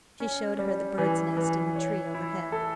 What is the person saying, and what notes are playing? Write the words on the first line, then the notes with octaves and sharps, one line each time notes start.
She showed her the bird's nest in the tree overhead.
C#4
G3
E3
E3
C#5
E4
A4